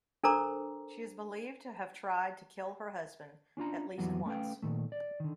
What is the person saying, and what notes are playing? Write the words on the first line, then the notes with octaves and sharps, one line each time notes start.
She is believed to have tried to kill her husband at least once.
D4 A4 A#4 C5 A#5 D6
C#4 D4 F4 A#5
F2 E3 F#3 G3 B3 F#4
A3 C#4 B4 F5 G5
A#2 D#3 A3
D5
D3 D#3